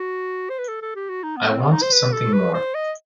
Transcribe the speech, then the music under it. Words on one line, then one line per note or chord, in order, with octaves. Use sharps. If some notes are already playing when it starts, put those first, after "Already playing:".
I want something more.
Already playing: F#4
C5
B4
A4
A4
G4
F#4
D#4
B3
C4
B3
D#4
C5
B4
A4
B4
C5
D#5